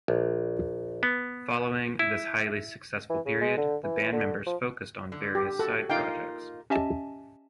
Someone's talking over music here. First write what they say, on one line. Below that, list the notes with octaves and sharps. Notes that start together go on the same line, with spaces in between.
Following this highly successful period, the band members focused on various side projects.
A#1
B3
E4
E3
C#3
G#3
D3
E3
D3
F3
D3
G4
F#4 A4
A#3 D#4 F4 G5
C#4 G4 D#5 E5 G#5 A5